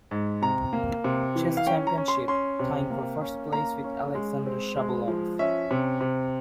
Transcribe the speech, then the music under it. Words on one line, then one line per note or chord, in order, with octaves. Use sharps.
Chess Championship, tying for first place with Alexander Shabalov.
G#2
C3 A#5
A#3
C3
E3
F5
C#4 G5
A#5
C#4
C6
C#4 C6
C3
A#3
C#4
A#3 A#5
C#4
G#3
C4
G#3
F3
C#4 E5
C3
C3